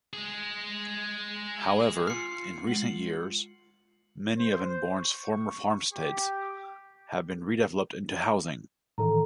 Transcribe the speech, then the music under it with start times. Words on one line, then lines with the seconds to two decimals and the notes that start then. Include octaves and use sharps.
However, in recent years, many of Enborne's former farmsteads have been redeveloped into housing.
0.13 G#3 G#4
2.07 F4 F6 C7 C#7
2.67 G#3 F#7
4.38 C5
4.93 C#6
5.93 G4
8.98 A2 D#3 E3 A4 A#5